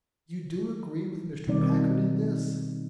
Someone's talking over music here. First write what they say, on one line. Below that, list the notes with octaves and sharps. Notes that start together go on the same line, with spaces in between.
"You do agree with Mr. Packard in this?"
B2 D#3 G3 C4 D#4 D5